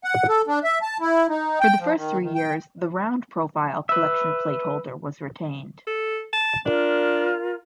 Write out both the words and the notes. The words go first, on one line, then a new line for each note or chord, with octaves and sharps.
For the first three years the round-profile Collection Plate holder was retained.
F#5
A4
D4
E5
A5
E4
D#4
G5
F3
D#3
D#3
G5
B4 E5
A4
A5
D4 F4 A#4